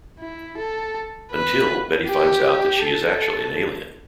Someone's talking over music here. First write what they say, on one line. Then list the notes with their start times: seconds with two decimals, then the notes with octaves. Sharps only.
Until, Betty finds out that she is actually an alien.
0.20 E4
0.58 A4
1.32 B4
2.08 G4
2.84 A4